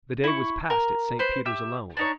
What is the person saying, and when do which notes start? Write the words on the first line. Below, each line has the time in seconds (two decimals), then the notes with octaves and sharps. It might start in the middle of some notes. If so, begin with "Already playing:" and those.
The day was passed at Saint Peter's alone.
0.24 E4 C#6
0.70 A#4
1.19 B4 C5
1.46 G4 E5 E6
1.97 D4 D#4 C#5